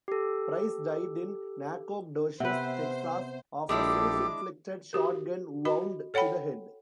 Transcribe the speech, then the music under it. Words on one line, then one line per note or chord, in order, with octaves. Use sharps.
Price died in Nacogdoches, Texas, of a self-inflicted shotgun wound to the head.
G4 A4
C3 B3 B4 C5 E5 F#5
A#1 G#3 D4 E4 G4 A4 D6
F#4 G4 A#4
F#4 D#5 B5
A4 C#5 F#5 G5 B5